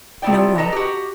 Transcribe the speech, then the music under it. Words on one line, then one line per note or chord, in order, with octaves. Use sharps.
"No one."
C3 F3 F#3 E4 D5 G5
G4 A4 B4 D#5 A5 A#5
F#4 G4